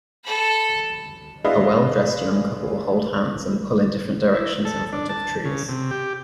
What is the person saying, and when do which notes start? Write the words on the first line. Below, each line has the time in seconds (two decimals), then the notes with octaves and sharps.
A well dressed young couple hold hands and pull in different directions in front of trees.
0.24 A4 B5
1.44 G#3 D4 E4 B4 D#5 F5
4.34 E4
4.65 A4
4.93 D4
5.09 A5
5.45 C#3
5.69 C3
5.91 G4